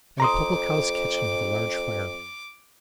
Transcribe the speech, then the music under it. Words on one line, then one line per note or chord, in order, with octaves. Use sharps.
In a public-house kitchen with a large fire.
F2 A#5 C6 D6 D#6